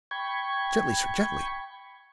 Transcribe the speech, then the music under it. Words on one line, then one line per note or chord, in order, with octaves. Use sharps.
Gently, sir, gently!
G5 B5 C#6 G#6